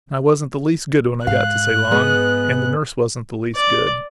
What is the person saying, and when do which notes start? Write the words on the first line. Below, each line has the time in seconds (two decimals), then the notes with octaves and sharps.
And I wasn't the least good when I got to Ceylon; and the nurse wasn't the least good.
1.27 G#2 F5 F#6
1.91 G#3 B3
3.56 D5